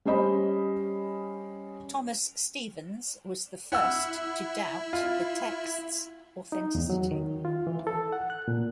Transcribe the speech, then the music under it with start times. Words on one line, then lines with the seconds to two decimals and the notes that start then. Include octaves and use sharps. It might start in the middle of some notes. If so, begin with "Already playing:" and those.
Thomas Stephens was the first to doubt the text's authenticity.
0.05 G3 C#4 C5 D#5 B5
3.72 E4 F#5 E6
4.93 F4
6.52 D#4
6.75 E2
6.90 F#3
7.11 D#3
7.45 F4
7.67 E3
7.87 A4
8.12 F#5
8.30 F#6
8.48 A#2